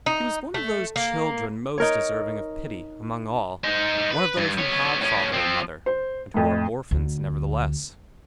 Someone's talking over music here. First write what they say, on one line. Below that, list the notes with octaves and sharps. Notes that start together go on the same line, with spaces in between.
He was one of those children most deserving of pity, among all, one of those who have father and mother, and who are orphans nevertheless.
D#4
A3
A#3
D#4 A#4 C#5
D#4 C5
B4
G2
B3 C#5
A2 C#4
F3 C4
C5
F2 A2
D2